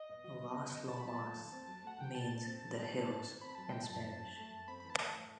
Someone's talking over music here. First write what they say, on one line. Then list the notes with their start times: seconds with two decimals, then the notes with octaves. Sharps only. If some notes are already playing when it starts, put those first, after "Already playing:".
Las Lomas means "the hills" in Spanish.
Already playing: D#5
0.09 B2
0.24 F#4
0.40 F#3
0.56 B3
0.72 B2
0.87 C4 A5
0.98 B5
1.04 F#3 A5
1.20 A3
1.35 D#3
1.52 C4
1.67 F#3
1.83 A3 F#5
1.98 D#3 G5
2.15 D#4 A5
2.30 A3
2.46 C4
2.62 D#3
2.78 D#4
2.94 A3
3.10 C4
3.26 D#3
3.41 C4 B5
3.55 F#3 A5
3.69 A3 G5
3.83 A5
3.89 F#2
4.05 C4
4.20 F#3
4.37 A3
4.53 F#2
4.68 C4 B5
4.80 B5
4.85 E3
4.90 A5
5.00 A3
5.15 A2